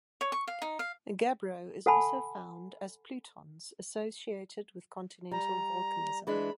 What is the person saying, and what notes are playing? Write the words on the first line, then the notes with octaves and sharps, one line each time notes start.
Gabbro is also found as plutons associated with continental volcanism.
C#5
C#6
F5
D#4
F5
A4 F#5 G#5 A5 B5
G3 A#5
E3 G#3 D4 B5